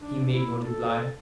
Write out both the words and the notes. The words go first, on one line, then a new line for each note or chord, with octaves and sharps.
He made no reply.
D4
E4
A4